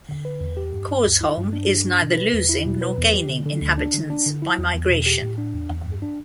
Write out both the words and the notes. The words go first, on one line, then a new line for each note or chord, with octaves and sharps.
Korsholm is neither losing nor gaining inhabitants by migration.
D3
B4
E2
G4
G2
G2
D2
E4
G2
D4
G2
D4
B2
B4
E2
E4
B2
B4
E2
G4
D3
D3
D2
D4
D3
D4
D3
E4
E2
E2
B2
G4
A2
D4
E2
E2
G2
D4